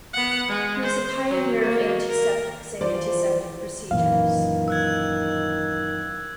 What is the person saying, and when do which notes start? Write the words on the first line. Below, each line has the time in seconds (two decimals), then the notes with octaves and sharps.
He was a pioneer of antiseptics and antiseptic procedures.
0.14 B3 F#5
0.48 G#3
0.83 C5
1.29 F#3
1.59 A#3 F#4
2.09 A#4
2.81 E3 F3 C5 D5
3.91 F#2 A#2 D#3 E3 F5
4.68 E6 F#6 G#6